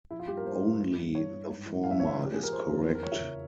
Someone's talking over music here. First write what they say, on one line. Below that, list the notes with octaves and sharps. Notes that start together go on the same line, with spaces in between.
Only the former is correct.
F3 E4
F4
G2 G4
A#4
G2 C5
G2
E3
G2
G2 C#5
G2
G#2
E3
E3 F5
E5
G#2 C#5
E5
F3
G4
F3 G#4
A#4
F3 C5
F2
E2 C5
A#4
F3 C#5
E5
C#3